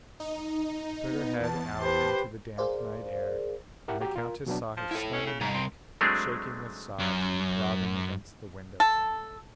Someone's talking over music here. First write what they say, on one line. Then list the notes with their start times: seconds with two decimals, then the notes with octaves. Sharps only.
She put her head out into the damp night air, and the countess saw her slim neck shaking with sobs and throbbing against the window frame.
0.20 D#4
1.09 B3
1.40 E2 A5
1.80 G4 B4 C5
2.57 G#4 A#4 C5 D5 F5
3.88 E4 G4 A#4 E5 F#5
4.01 F#4 G4 A#5
4.16 F4 A#4
4.46 B2 F#3 B3 D4
4.77 F3
4.91 E4 A4
5.13 C#4
5.26 C#3
5.41 G#2 C3 G3 A#5
5.54 C4
6.01 F#3 G#3 A3 C4 D4 G#4
6.99 F#2
8.80 A4